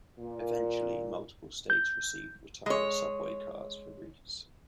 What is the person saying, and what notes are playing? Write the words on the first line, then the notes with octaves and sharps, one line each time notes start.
Eventually, multiple states received retired subway cars for reefs.
A#2
G6
G#3 C#5